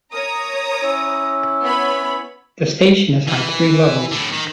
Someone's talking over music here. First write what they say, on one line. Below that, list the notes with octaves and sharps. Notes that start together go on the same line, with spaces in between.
The station is on three levels.
A#4 C#5 A#5 D#6
C#4 E4
B3 C#5 B5
E3
A2 D3
D#3